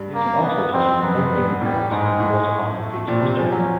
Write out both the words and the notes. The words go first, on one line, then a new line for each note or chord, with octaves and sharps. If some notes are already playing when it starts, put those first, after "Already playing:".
Newton also assisted in both England goals in the Quarter-Final defeat to West Germany.
Already playing: G2
A#3
B3
F2 C4
F#2 B3
F#2
G2
A2 G3
G#2 G#3
A2
A3
A#2 C4
C3
F3 C#4
F#3